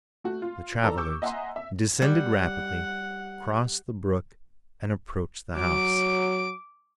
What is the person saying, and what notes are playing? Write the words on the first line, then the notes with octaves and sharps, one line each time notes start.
The travelers descended rapidly, crossed the brook, and approached the house.
A3 F#4
F4
E3 A4 D5 A#5 E6
C#6 D6 E6 G6
D#5 E5 F#5 G#5 A#5 C6
E5
G3 F#5
F#3 D6 D7